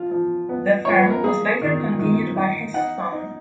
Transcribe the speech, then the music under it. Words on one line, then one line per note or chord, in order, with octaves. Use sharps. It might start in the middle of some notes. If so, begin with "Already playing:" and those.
The firm was later continued by his son.
Already playing: F3 F4
F3
B3
F3 C#5
B4
A#4
A#3 G#4
D#3
D#3
D#4
D#4 F#5
D#4